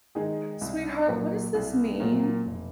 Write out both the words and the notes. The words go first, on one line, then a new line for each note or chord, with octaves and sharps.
"Sweetheart, what does this mean?"
D#3 G#3 D#4 G#4
C2
A#2 F#3 A#3
C2
A#2 F#3 A#3
F1